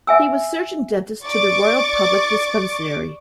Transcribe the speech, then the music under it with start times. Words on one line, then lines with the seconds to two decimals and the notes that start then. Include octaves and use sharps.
He was surgeon dentist to the Royal Public Dispensary.
0.07 E5 G#5 E6
1.24 D5 C#6 D6 A6